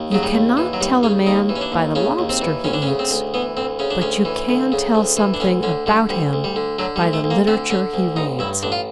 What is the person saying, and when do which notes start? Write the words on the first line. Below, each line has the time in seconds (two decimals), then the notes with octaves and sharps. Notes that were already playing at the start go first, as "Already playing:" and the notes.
You cannot tell a man by the lobster he eats, but you can tell something about him by the literature he reads.
Already playing: D#2
0.12 C#3 F#3
0.23 G3
0.35 D#2
0.57 E3
0.73 F#3
0.81 D#2 G3
1.03 C#3 C#4
1.26 D#2 D#4
1.49 E3
1.56 C#4
1.61 D4
1.72 D#2
1.95 C#3 C#4
2.19 D#2
2.29 C4
2.41 E3
2.64 D2 C#4
2.73 D4
2.82 C#4
2.87 C#3
2.99 C4
3.11 D2
3.34 E3 B3
3.57 D2 C4
3.79 C#3 C#4
3.91 D4
4.01 D2 C#4
4.25 E3
4.49 D2
4.72 C#3
4.95 D2
5.17 E3
5.34 D4
5.40 D2 C#4
5.63 D3 C#4
5.86 D3 G3
6.09 D2 G3
6.33 D2
6.44 G3
6.56 D3
6.79 D3 F#3
6.96 G3
7.02 D2
7.13 A3
7.24 D2
7.31 A#3
7.47 D3 C4
7.70 D3 C#4
7.94 D2
8.16 A1 D#4
8.39 G2 E4
8.63 A1 D4
8.72 F4